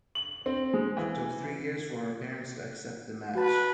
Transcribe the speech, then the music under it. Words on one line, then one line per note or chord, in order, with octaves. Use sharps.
It took three years for her parents to accept the match.
F#7
C4
G#3
E3
F#4 B4 A5